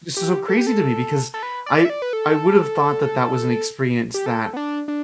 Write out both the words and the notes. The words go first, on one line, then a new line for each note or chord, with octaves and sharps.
this is so crazy to me because I I would have thought that that was an experience that,
G4
A4
G4
A4
A4
B4
D5
E5
D5
B4
A4
G4
A4
B3
D4
D4